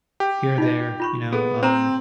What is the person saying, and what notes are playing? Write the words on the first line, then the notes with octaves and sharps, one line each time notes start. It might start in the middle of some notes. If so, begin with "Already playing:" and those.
here or there, you know, um,
G4
D#4 F4 D#5
F4 B5 C#6
B3 G#4 A4
C4 C5 A#5